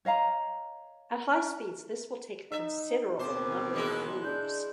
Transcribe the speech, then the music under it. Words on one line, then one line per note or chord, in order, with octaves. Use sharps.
At high speeds, this will take a considerable number of moves.
C#5 D#5 F5 A#5
D#4 E5
D#2 B2 C4 C5 D6
E3 G#3 E4
D4 G6